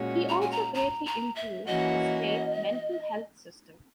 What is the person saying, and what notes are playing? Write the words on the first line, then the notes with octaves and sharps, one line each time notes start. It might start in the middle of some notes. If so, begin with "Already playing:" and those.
He also greatly improved the state mental health system.
Already playing: A#2 G#3 C#4 F#4
A#5
G#5
A#5
A#5
A#5
E5
E3 A#3 C#4 F#4 D#5